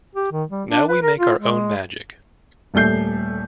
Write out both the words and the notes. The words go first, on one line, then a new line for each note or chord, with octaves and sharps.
Now we make our own magic.
G4
D#3
G3
D4
B4
A#4
F4
G#3
D#1 G3 A3 G6 C7